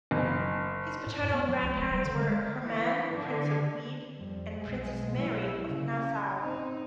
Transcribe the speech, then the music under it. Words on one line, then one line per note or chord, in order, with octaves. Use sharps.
His paternal grandparents were Hermann, Prince of Wied, and Princess Marie of Nassau.
F#1
A2
F#2
B3
F3
C#2
E1
G3
D3
G#3
E3
D3
F2 G3
B1 G#3
F#3 E4
C#3
C#4
C4 D#4